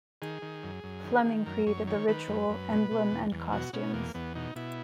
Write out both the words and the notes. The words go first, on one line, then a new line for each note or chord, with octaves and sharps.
Fleming created the ritual, emblem and costumes.
D#3 G#4
D#3
F#2
F#2
D#3
D#3
F#2 A#4
F#2 C#5
D#3 C#5
D#3 B4
F#2
F#2
B2
B2
E2
E2
B2 F#4
B2 C#4
E2 A#3
E2 B3
B2 D#4
B2 E4